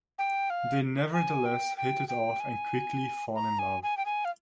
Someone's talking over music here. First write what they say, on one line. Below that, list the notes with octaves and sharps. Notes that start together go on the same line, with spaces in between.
They nevertheless hit it off and quickly fall in love.
G5
F5
G#5
G5
G5
G5
G#5
A#5
G#5
G#5
G5
G#5
F5